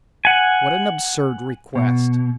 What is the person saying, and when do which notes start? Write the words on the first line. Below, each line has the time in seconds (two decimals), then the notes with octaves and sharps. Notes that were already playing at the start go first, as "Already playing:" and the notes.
What an absurd request!
0.25 F#5 G#5
1.75 B2